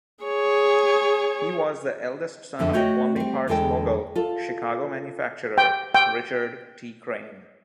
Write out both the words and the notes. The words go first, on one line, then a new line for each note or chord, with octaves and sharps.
He was the eldest son of plumbing parts mogul, Chicago manufacturer, Richard T. Crane.
G#4 C#5
F2 D3 E5
A3 F#4 C#5 D#5 G5
G3 C4
E2 D3 G#3 A4 G5
F4 A4
G5
G5